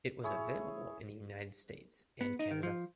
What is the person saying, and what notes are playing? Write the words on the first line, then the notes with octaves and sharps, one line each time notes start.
It was available in the United States and Canada.
E4 G#4 C#5
B3
D#4
D#3
F3